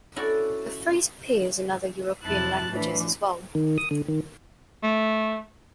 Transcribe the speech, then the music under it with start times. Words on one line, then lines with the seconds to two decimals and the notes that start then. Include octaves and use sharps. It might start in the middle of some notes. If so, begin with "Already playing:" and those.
The phrase appears in other European languages as well.
0.16 C#4 E4 F#4 A4 D5
2.23 F2 C3 E4 A5 F#6 A6
2.68 A2 E3 D4
3.55 D#3
3.78 D#6
3.91 D3
4.08 D#3
4.84 A3